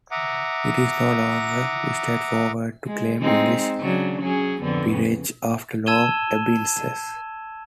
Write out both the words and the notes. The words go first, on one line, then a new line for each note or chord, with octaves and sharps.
It is no longer straightforward to claim English peerages after long abeyances.
E5 F#5 A#5 D6 D#6
G#3
G#3 C4 D#4
C#3 F#3 D4
F#3 C#4 G#4
F2 D3 B3
C#3
A5 E6 G#6 D#7 E7 G7